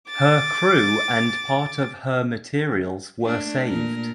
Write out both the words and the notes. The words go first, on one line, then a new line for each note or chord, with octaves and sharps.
Her crew and part of her materials were saved.
D6 A6
A3 D4
A#2 A#4